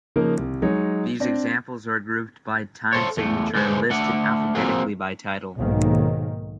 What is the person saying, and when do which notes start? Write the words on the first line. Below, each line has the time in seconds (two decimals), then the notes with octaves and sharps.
These examples are grouped by time signature, and listed alphabetically by title.
0.16 C#3 F3 A#3 D#4 A#4
0.37 C2
0.62 F#3 G#3 D#4 C#5
1.20 C4 D4 A#6
2.93 A4 C5 C#5
3.17 E2 A3
3.55 D3 G#3 B4 C5
3.90 A3 D4 F#5
4.55 F3 A#3 C4 F4 F#4 G#4
5.57 B1 G#2 D#3 A#3